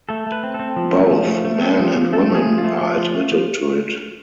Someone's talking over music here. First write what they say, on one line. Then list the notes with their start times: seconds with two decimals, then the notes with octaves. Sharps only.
Both men and women are admitted to it.
0.09 A3 A4
0.27 A3
0.32 B4
0.43 C4
0.54 A4
0.59 C4
0.76 F3
0.93 A3
1.11 F3
1.27 A3
1.45 A3
1.61 C4
1.79 F3
1.96 F3
2.13 A3 A4
2.30 F3 G#4
2.47 F3
2.58 F4
2.64 A3
2.81 F3
2.98 F3
3.14 A3
3.32 F3